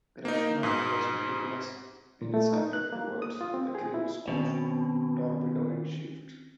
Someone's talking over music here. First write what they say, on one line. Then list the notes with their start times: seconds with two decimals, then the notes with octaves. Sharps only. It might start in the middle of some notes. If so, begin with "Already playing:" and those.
Kretschmer was meticulous in his conduct towards the crews of torpedoed ships.
0.25 A#3 D#4
0.63 G#2 B2
2.22 A#2
2.34 A3
2.53 D#4
2.73 F#6
2.93 A#3
3.22 D#6
3.41 F4
3.54 C4
3.75 G#4
3.94 E4
4.28 B2 D#3 C4 C#4